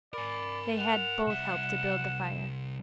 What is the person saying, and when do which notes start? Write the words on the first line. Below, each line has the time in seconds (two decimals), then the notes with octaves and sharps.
They had both helped to build the fire.
0.13 A#4 D5 G#5 B5
0.79 F#5 F7
1.27 C2 E5 E7